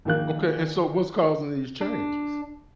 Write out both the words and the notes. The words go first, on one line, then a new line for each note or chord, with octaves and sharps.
Okay, and so what's causing these changes?
A#1 D#3 A#3 F#6
D4